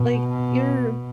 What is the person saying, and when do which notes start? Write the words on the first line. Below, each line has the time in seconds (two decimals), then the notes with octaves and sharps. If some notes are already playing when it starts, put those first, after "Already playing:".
like, you're
Already playing: B2